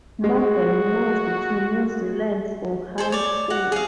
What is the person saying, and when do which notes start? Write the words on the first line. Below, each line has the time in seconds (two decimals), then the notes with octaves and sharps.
Morgan moved to New Zealand for high school.
0.24 G#3 F#4
2.98 G#4 A4 C5
3.12 C#5 D5
3.50 F#4 F#5
3.72 G#4 F5